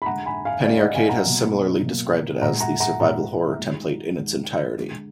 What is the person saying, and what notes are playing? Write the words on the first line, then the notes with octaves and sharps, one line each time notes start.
"Penny Arcade" has similarly described it as "the Survival Horror template in its entirety".
B5
D3 G#3 F#5 A#5
G#5 B5
F5 G#5
D3 G#3 D5 F5
D#5 F#5
F5 G#5
F#5 A#5
B2 F#3 A#3
B2 F#3 A#3
A#2 G#3 F#5 A#5
F#5 A#5
F#5 A#5
A#2 G#3 F#5 A#5
D#3 G#3
D#3 G#3
D3 G#3